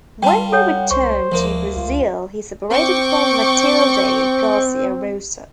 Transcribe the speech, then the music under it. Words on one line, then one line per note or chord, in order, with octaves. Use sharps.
When he returned to Brazil he separated from Matilde Garcia Rosa.
G3 F4 G5 A5
A4 C#5 F#5 G5
C2 C5 C#6
D2 F3 A#3
C#2 F4
C4 G5 C#6 D6